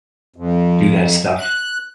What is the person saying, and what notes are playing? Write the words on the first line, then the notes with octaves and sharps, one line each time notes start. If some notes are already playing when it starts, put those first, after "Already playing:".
do that stuff
F2
F#6